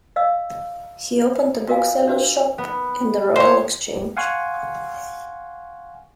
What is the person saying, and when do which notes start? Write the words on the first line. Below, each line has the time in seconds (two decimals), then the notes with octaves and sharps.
He opened a booksellers shop in the Royal Exchange.
0.16 D#5 F5 E6
1.68 F4 F#4 A#4 D#5 F5 G#5
2.08 D4 F#4 B4
2.58 B3
3.36 C5 C#5
4.17 F5 F#5 G#5 C6 C#6